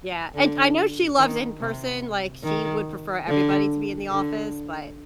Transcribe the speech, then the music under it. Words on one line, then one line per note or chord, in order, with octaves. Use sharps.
Yeah, and I know she loves in-person, like, she would prefer everybody to be in the office, but,
D3
D#3
C3
D#3
D3
D3